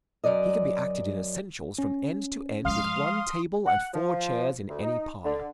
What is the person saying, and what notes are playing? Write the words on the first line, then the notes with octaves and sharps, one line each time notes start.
He can be acted in essentials from end to end with one table and four chairs in any parlor.
F#2 F3 F#3 D5 D#5
C#4
F3 G#3 F5 C6 D#6
F#5
F3
D2
D#4
D3